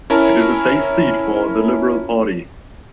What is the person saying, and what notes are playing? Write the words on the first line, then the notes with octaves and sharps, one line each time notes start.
It is a safe seat for the Liberal Party.
C#4 E4 A#4 A5